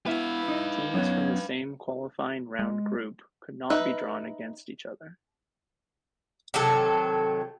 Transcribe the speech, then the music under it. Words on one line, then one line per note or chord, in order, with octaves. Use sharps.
Teams from the same qualifying round group could not be drawn against each other.
B3 E4 B4 E5 F5
D#4 D#5
F#2 B3 C#5
G#3
D#4 B4 E5
C3 D#3 F#3 A4